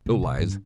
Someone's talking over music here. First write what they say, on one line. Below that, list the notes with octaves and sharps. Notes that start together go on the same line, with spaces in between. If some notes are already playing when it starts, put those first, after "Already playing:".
No lies!
C3
B2
G2